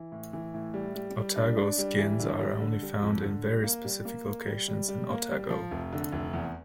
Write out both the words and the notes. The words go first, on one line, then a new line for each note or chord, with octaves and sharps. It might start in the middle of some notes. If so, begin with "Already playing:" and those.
Otago skinks are only found in very specific locations in Otago.
Already playing: E3
A2
E3
A2
G3
G3
G3
D4
D4
G3
E3
D3
G3
D3
G3
F2
D3
G3
A#3
G3
A#3
A#3
G3
G3
G3
A#3
G3
F3
F1
D3
F1
E2